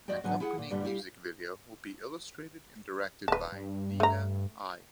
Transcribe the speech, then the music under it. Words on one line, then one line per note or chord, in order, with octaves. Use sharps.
An accompanying music video will be illustrated and directed by Niina Ai.
F2 F#4 D5 D#5 G5
G#2 D3 F#3 B3 G#5
E4 F4 G#4 F#5
A#2
G2 A#2 D3 G3
E4 G4 F5
D1 B4 A5
G2
A3 A#5